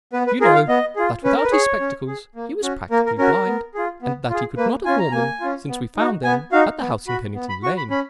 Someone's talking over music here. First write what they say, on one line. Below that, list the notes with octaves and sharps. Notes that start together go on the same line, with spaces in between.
You know that without his spectacles he was practically blind, and that he could not have worn them since we found them at the house in Kennington Lane.
B3 B4
B4
F4 G#4 A#4
F5
B3 D#5
F4 G#4
C#4 B4
A#4
B4
G#4 C#5
C#4
G#4
A#3
C#4 F#4
A#3 A#4
A#4
C#4 F#4 A#4
B3
F4 G#4
B3
F4 G#4
A#3 B4
C#4 F4 G#5
A#5
A#3 G#5
C#4 F4
B3
D#4 F#4
B3 G#5
D#4 F#4 F5
B3
F#4 B5
B3
B5
F#4 C#6
B5
C#4 B5